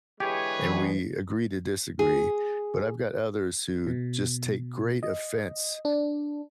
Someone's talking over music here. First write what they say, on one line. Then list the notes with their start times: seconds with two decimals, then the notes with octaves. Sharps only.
and we agree to disagree, but I've got others who just take great offense
0.20 D3 E3 G#3 G4 G#4 B4 C#5
0.64 E3 G#3 B3 D4
1.99 G#4
3.87 B2
5.03 D#5
5.85 D4